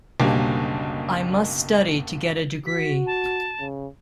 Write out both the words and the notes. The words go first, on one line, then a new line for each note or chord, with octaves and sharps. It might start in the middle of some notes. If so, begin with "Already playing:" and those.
I must study to get a degree.
F#1 B1 D3 G3 A#3
F#4 B6
A5
C#3